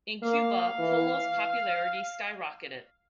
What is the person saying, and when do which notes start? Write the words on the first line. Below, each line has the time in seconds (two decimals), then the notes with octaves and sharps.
In Cuba, Polo's popularity skyrocketed.
0.23 A#3 F5
0.79 E3